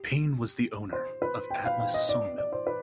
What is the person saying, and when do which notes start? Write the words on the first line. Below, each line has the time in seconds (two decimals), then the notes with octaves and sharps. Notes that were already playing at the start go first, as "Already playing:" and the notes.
Payne was the owner of Atlas sawmill.
Already playing: G4
0.93 C5
1.22 B4
1.50 G5
1.65 F5
1.80 F5
1.94 D#5
2.09 D5
2.38 D5
2.53 C5
2.67 B4